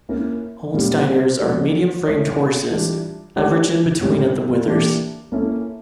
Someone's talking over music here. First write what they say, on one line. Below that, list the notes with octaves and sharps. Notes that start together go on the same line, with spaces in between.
Holsteiners are medium-framed horses averaging between at the withers.
A#3 C#4 E4 A#4
A#2 G3 C#4
F3 A#3 D4 A4 D5
A3 E4 A4 C#5
E3 G3 D4 F4
A3 D4 G4 A#4 C#5
A2 G3 C#4
E3 A#3 D4 G4
A#3 C#4 E4 A4